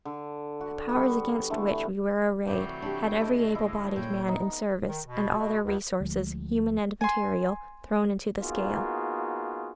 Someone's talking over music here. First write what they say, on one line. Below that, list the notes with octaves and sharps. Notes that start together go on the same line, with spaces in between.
The powers against which we were arrayed had every able-bodied man in service and all their resources, human and material, thrown into the scale.
D3
F#4
G3 B3 F#4
D3 E3 A3
C3 E3 F#3 G3 A3 G5 D6
D4 G4
D2 A2 C#3 E4 A4 D#5
E4 D#5
A#2 C#5 G5
B3 D#4
D#3
B2
B2
C#2
D2 F3 G#3
G#5 C6
A#3 B3 D#4 F4 F#4 G#4